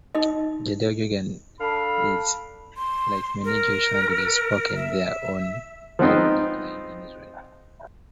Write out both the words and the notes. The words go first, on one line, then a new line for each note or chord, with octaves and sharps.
Judaeo-Georgian is, like many Jewish languages spoken there, on the decline in Israel.
D#4 D#5
D4 A4 F5 B5
C6
A#4
E5
F3 G#3 B3 C4 D#4